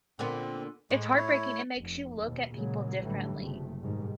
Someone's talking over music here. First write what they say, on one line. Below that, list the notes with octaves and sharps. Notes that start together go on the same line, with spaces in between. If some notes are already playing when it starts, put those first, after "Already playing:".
It's heartbreaking, it makes you look at people differently.
A#2 D3 B3 C4
A2 G#3
E4 C#5
F1
D#2 B2
A#2 C#3 F#3 G#3 A#3
A1 D3 E3 F#3 G3 A3
F#1 C3 A3
G#2 B2 D#3 G3